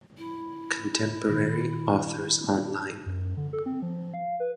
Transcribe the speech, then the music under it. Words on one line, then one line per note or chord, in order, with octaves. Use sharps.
"Contemporary Authors Online".
E4
A#2 D#3
F#2
D3
A4
C4
F3
F5
B4